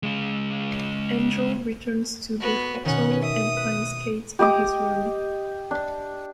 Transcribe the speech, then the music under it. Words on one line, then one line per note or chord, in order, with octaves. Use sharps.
Angel returns to the hotel and finds Kate in his room.
C#3 G#3
B3 F#4
B2 D#3 C#4 F#5
E5 D#6
B4
G4 D#5 D6 D#6
D4